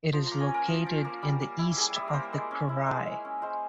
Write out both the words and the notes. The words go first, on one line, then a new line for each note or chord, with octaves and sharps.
It is located in the east of the krai.
F3 C6
A#3 A#5
G#5
C#4
A#4
F3
F3
A#3
G3
A#3
E4
G3 G#4
G3 E5
A#4
A#3 C5
G#3
C#4
E4
G#3
G#3
C#4
G#3 C5